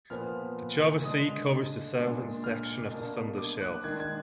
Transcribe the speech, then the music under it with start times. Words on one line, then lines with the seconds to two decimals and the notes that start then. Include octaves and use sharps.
The Java Sea covers the southern section of the Sunda Shelf.
0.10 A#2 F3 B3 F6
1.04 D3 G#3 D4 D#6
1.97 A#2 G#3 D4
2.44 F6
2.91 B2 A#3 D4
3.38 D6
3.61 F#6
3.84 D#3 G#3 D4 G#6
4.00 G#6